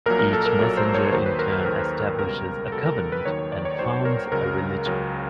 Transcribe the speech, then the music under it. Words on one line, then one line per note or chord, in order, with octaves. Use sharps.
Each messenger in turn establishes a covenant and founds a religion.
A#1 A#2 F#3 A#4
A#4
A4
A#4
A#1 A#2 F#3 A#4
C5
C#5
D#2 D#3 F#3 C5
B4
A#4
A#4
A4
D#2 D#3 F#3 A#4
C#2 B2 G3 A#4
A#4
C#2 B2 G3 A4
A#4
A#4
B4
D#2 D#3 F#3 C#5
C#5
D5
C#5
D#2 D#3 F#3 C5
A#4
C#2 C#3 F#3 A#4
C#2 C#3 F#3